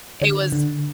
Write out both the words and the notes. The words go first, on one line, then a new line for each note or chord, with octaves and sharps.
it was
D3
D3